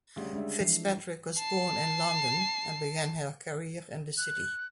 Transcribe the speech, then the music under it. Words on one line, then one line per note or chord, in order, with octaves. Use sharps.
Fitzpatrick was born in London and began her career in the City.
D2 C#3 G3
G#3 D4 E5
E3 F3 C7
A5 C7
F#6